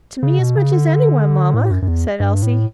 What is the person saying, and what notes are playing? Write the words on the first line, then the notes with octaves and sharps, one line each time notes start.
"To me as much as anyone, mamma," said Elsie.
C#3
B2
C#3
D3
A2
F#2
F#2
E2
G2
A2